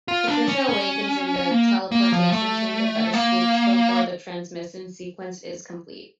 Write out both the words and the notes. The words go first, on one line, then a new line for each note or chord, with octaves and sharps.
Patricia awakens in the teleportation chamber but escapes before the transmission sequence is complete.
F4
D4
C#4
C#4
A#3
A#3
F3
A3
A#3